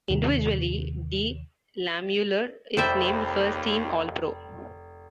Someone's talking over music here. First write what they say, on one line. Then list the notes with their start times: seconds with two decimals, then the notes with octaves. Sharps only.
Individually, DeLamielleure is named First-team All-Pro.
0.10 D#2 C3 D#3
2.77 F1 D#2 C5 D5 E5 G5 B5